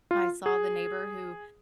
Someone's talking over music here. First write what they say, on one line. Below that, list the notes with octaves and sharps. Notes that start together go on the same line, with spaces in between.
I saw the neighbor who
F4
G#4